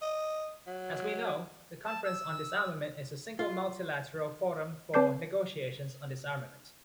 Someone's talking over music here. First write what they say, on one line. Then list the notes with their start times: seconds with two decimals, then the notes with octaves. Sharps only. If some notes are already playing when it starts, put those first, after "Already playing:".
As we know, the Conference on Disarmament is a single multilateral forum for negotiations on disarmament.
0.02 D#5
0.67 F#3
1.84 A5
2.04 E6
3.39 F4
4.94 C4 B4 A5 D6 G6 C7